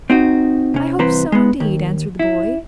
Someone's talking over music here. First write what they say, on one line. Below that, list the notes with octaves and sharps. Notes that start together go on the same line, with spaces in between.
'I hope so, indeed,' answered the boy.
C4 D#4 F#4
C3 C#4
C2 E3 C4 B4 C5 A#5
G#3 B3
D#2
E4